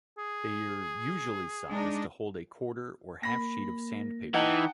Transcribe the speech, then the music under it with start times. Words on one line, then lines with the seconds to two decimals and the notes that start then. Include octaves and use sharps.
They are usually sized to hold a quarter or half sheet of sandpaper.
0.18 G#4
1.71 G#3 D4 D#4
3.23 A#3 B5 A#6
4.34 E3 D#4 F#5 G5 A5